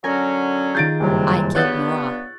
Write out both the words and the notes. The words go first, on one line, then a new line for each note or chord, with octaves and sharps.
"I killed Marat!"
D3 F#3 C#4 A#4 G#5
D#3 F4 G#4 G6 A6 D7
F#1 G2 C3 F#3
G2 B3 C#5 C#6 E6 F#6 G6 A6